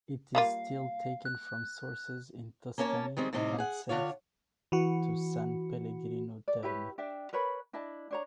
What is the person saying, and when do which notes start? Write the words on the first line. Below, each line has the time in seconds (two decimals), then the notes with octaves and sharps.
It is still taken from sources in Tuscany and sent to San Pellegrino Terme.
0.35 G3 A#3 F4 F5
1.25 F#6
2.78 A#3 C#4 A#4 C#5 A5
3.17 D#3 G3 G#3 C4
3.33 A2 C3 G3 C4 D4 D#4
3.58 G#4 F#5
3.89 D3 D4 F4 C#5
4.72 E3 F#4
6.48 D5
6.63 E4 G4 B4 C#5
6.98 D4 E5 G5
7.33 A#4 B4 C#5 B5
7.73 D4 E4 D#5 A5
8.11 D4 C#5 A#5